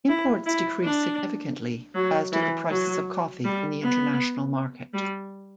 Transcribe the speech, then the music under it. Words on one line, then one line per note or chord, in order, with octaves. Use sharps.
Imports decreased significantly, as did the prices of coffee in the international market.
E4
E4
D4
F#3
E3
F#3
G3
B3
G3